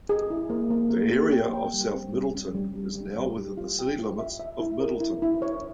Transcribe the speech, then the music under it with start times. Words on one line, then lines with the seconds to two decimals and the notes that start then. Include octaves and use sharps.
The area of South Middletown is now within the city limits of Middletown.
0.09 G#4
0.30 E4
0.50 A#3
0.70 A#3
0.91 A#3
1.12 G4
1.32 G5
1.53 G5
1.74 G3
1.94 C4
2.14 G3
2.35 C#4
2.55 G3
2.76 G3
2.96 G3
3.16 G3
3.37 G4
3.58 F4
3.79 G5
3.99 F4
4.19 E5
4.39 E5
4.60 E4
4.80 A#4
5.01 E4
5.22 E4
5.42 C#5